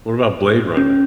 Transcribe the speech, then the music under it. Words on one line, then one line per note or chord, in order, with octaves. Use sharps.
What about Blade Runner?
C#4